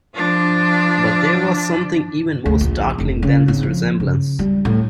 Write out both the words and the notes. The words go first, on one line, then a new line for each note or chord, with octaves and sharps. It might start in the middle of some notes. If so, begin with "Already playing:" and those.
But there was something even more startling than this resemblance.
F3 D4
D2
A#1
F1
C#3
G#1
F3
C#3
G3
A2